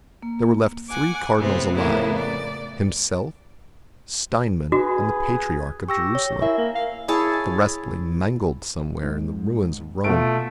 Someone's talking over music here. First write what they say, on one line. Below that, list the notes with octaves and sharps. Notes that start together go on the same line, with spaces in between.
There were left three Cardinals alive, Himself, Steinmann, and the Patriarch of Jerusalem; the rest lay mangled somewhere in the ruins of Rome.
A#3
F#5 G#5 D6
A2 C3 B3 C4
F2 A2 C#3 A#3 B3 E4
D5
F#4 G#4 B4
G4 C#6 E6 A#6
C#5
E4 A#4 E5 G#5
A#3
F5
E4 G#4 C#5 A5
G#2
B2 A3 F4 D7